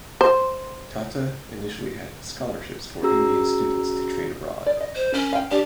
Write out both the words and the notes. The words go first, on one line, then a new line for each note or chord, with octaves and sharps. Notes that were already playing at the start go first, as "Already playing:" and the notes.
Tata initially had scholarships for Indian students to train abroad.
C5
C#4 F#4 G#4 A#5 E6
D5
D#5
C5
C#4 A#4
F5 G5
D4 G4